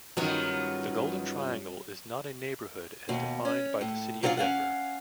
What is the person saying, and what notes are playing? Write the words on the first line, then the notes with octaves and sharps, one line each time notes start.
The Golden Triangle is not a neighborhood as defined by the city of Denver.
G2 D#3 F#3 B3 C#4 F4
D#2 B2
C#4
A2
F#3 G3 B3 D4 F4 G#4
C#4 F5 F#5